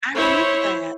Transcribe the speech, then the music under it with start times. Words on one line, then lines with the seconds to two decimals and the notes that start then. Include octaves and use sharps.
I remember that.
0.16 E4 C5 C#5